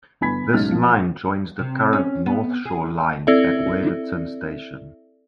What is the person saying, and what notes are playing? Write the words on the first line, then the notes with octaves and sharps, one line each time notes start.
This line joins the current North Shore line at Waverton station.
G1 B3 G#5 B5 G#6 B6
B1 G#2 C#3 D#4 F6 A6
B2 F3
C3
C#4
B3
G#4
C4 E4 A4 D5 E5